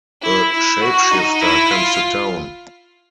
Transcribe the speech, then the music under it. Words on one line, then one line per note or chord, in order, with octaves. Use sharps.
A shapeshifter comes to town.
E4
E4
F#4
D#4
E4
F4